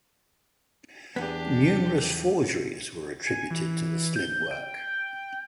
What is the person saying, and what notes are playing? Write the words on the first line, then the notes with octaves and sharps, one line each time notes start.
Numerous forgeries were attributed to the slim work.
E2 B3 D4 G4
G#5
E3
G6
G5